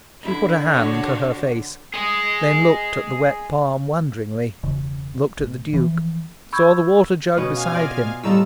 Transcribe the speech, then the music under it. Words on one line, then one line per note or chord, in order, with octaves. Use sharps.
She put a hand to her face, then looked at the wet palm wonderingly, looked at the Duke, saw the water-jug beside him.
D3 E4
D4 F#4 C#5
G#4 D#5
E1 C#3
A1
E3 F3
B5 C#6 E6 G6 G#6
B2 B3 C#4
F5 G#5 F6
F4 D5 D#5
A2 G3 D#4 F4 A4 E6